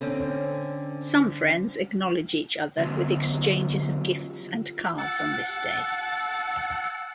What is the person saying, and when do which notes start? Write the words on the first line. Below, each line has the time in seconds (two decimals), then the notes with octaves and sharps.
Some friends acknowledge each other with exchanges of gifts and cards on this day.
0.01 D3 C4 C#4
2.77 D3 F#3 G#3 C#4
4.98 F#5 A5 E6